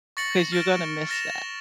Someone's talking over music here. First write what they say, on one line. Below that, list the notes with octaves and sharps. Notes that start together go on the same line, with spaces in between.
'cause you're gonna miss that.
C#6 A6 A#6 C#7 F#7
F6 A6 A#6 D7 E7
F6 A6 A#6 E7 F7